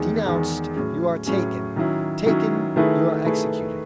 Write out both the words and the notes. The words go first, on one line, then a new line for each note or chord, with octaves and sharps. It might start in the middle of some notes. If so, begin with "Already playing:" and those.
Denounced, you are taken; taken, you are executed.
Already playing: E2 D#3 G#3
E2 D#3 G#3
A2 F#3 C#4 G#4
A2 F#3 C#4 G#4
D#3 F#3 C#4 E4
D#3 F#3 C#4 E4
D#3 A3 E4 G#4 B4
D#3 A3 E4 G#4 B4